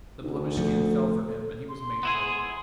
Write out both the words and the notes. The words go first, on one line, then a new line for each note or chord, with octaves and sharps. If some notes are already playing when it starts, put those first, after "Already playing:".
The blemished skin fell from him, and he was made whole.
D2 D#4
F3 A3 A4
C6
B3 E4 G#4